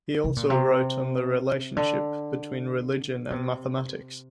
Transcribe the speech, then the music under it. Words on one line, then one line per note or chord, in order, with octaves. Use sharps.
He also wrote on the relationship between religion and mathematics.
C3
A#2
C3
D3
C3